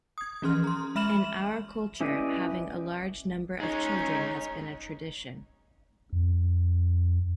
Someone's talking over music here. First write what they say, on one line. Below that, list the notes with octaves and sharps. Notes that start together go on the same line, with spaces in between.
In our culture, having a large number of children has been a tradition.
D#6 G#6
E3 F3 C#4 G#4 C6 F6
A#5 C6
G#3 E5 B5 F6 E7 F#7
C#4 E4 G4 B4 D5 D#5
G#3 C#4 D#4 C#5
F2